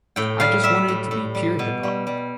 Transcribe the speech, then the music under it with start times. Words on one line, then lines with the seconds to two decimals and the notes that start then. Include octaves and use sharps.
I just wanted it to be pure hip-hop.
0.16 A2 G5
0.40 G3 F5
0.64 G3 E5
0.88 A2
1.11 A2
1.35 G3
1.59 B2
1.83 G3
2.07 G3